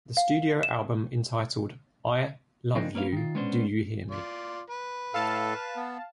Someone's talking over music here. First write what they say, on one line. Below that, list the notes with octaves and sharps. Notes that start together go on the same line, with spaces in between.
The studio album entitled I Love You, Do You Hear Me?
F5
E7
C#3 F3 A#3 C4 D4 D#4
A#3 C#4 B4 D5 F5
D#3 F4
G#3 B3 C#4 D4 C5
F4 D5
B4
A2 A4 F5 A5
B3